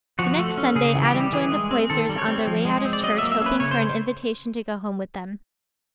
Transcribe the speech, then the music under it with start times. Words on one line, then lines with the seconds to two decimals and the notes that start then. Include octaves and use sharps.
THE next Sunday Adam joined the Poysers on their way out of church, hoping for an invitation to go home with them.
0.19 F3 F#4
0.39 A3
0.57 C#4
0.75 C#3 G#4
0.96 E3
1.05 G4
1.14 G3
1.33 E3 G#4
1.52 G#3
1.71 C4
1.90 D#3 A4
2.09 G3
2.18 C#5
2.28 C4
2.47 F3
2.65 G#3
2.85 C4
2.93 D5
3.03 F#3 D#5
3.18 A#3 E5
3.32 E5
3.41 C#4 B4
3.60 C#3 C#5
3.71 C5